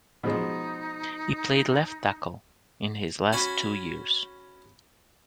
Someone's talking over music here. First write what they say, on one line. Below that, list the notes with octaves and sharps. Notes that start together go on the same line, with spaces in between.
He played left tackle in his last two years.
B2 F3 G#3 D#4
C#4 F#4 G#5 B5